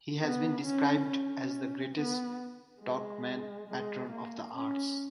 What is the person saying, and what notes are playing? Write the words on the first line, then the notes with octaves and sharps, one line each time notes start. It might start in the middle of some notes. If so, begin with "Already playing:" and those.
He has been described as the greatest Turkmen patron of the arts.
B3
C#4
C#4
B3
G#3
G#3
A#3
C#4